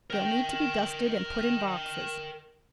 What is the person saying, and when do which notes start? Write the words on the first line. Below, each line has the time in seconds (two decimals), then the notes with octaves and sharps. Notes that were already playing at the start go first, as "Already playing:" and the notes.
They'll need to be dusted and put in boxes.
0.10 A#4 G5